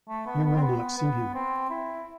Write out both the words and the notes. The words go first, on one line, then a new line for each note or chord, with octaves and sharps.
You will not see him.
A3
B3
B3
C4
B3
B3
C4
E4